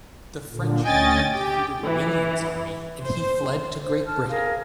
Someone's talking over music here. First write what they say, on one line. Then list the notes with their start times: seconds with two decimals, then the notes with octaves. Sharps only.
The French army defeated William's army and he fled to Great Britain.
0.51 A#2 D3
0.84 D2 C#4 D#5 G5 G#5 A6
1.33 G4 G5
1.84 E3
3.03 C5
3.83 C5
4.06 A5 F6
4.29 G#4 A#4 F5